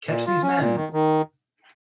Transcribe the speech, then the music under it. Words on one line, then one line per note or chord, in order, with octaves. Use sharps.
Catch these men!
A#2
F4
C#4
A#2
D#3
D#3